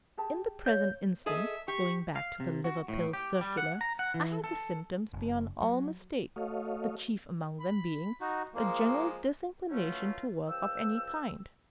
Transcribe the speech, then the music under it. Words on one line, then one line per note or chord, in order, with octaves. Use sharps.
In the present instance, going back to the liver-pill circular, I had the symptoms, beyond all mistake, the chief among them being "a general disinclination to work of any kind."
G4 G#4 A5
C#5 F5 G6
G#4 A4 D#5 E5
G4 C#6
F5
C3
F#4
A2
G4
G3
F#5
A#5
F#5
E3
A4
F#1
F#3
A3 F#4 A4 C#5 D#5 F5
B5
D#4 F#4
F3 G#3 A#3
E3 F#3 A3 C#4 F4
C#2 F3 G5 E6